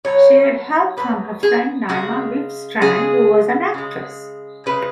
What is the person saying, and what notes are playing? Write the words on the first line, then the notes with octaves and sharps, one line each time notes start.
She had help from her friend Naima Wifstrand, who was an actress.
B2 F#3 C#5
B2 F#3 B4
G#4
C#3 G#3 F#4
C#3 G#3 G#4
C#3 G#3
C#3 G#3 B4